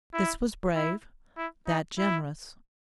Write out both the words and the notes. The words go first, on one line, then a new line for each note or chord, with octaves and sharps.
This was brave, that generous.
E4
E4
E4
D#4
E4